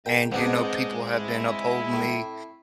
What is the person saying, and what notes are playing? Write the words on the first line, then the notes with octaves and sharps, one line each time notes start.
and, you know, people have been upholding me,
G#3 A#4 G5
G#2 G#3 B3 C4 D4 D#4
E4
A2